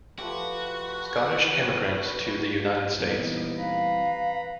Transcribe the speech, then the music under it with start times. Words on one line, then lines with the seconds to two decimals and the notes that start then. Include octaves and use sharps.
Scottish emigrants to the United States.
0.19 F3 A3 F#4 G4 B4
2.99 A#2 E3 G3 B3 C4 D#4
3.57 B4 F5 A#5 B5